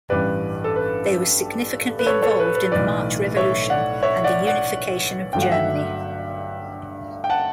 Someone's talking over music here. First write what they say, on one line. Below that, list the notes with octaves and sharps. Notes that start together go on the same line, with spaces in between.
They were significantly involved in the March Revolution and the unification of Germany.
A1 G2 E3 G3 B4 D5
A4
B4
B4
A4 C#5
A4 C#5
B4
B4
B1 A2 E3 B4 D5
C#5 E5
D5 F#5
C#5 E5
D5 F#5
D5 F#5
G1 G2 F#3 A3 G5
F#5
E5 G5
G5
F#5 A5